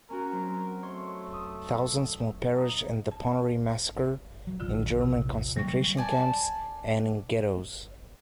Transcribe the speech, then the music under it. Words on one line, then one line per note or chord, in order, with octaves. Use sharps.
Thousands more perished in the Ponary massacre, in German concentration camps, and in ghettos.
C#4 F#4 A#4
F#3 C4
A3 C#5 C6
D#6
D#4
A5
F#3
E1 A#1 D3 F4 E6
C3
D3 F#3 G3 A#3 C#6
D5 G#5 A5